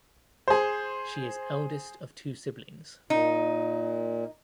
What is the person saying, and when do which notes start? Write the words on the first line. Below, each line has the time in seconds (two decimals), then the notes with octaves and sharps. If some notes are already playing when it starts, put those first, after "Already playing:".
She is eldest of two siblings.
0.48 G#4 C5
3.10 A#2 D#4